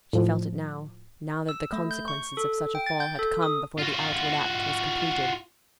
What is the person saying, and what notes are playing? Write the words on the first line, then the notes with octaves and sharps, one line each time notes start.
She felt it now,--now that the consequences of such a fall had come before the outward act was completed.
A2 F3
E6
A3
G6
C#6
A4
G5
A6
G6
A4
D#6
F4 F#4